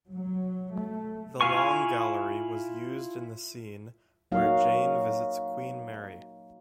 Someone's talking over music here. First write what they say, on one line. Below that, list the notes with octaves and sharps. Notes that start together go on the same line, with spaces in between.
The long gallery was used in the scene where Jane visits Queen Mary.
F#3
A3
E4 F4 F5 G#5 C#6
F#3 A#3 D#4 F#4 F5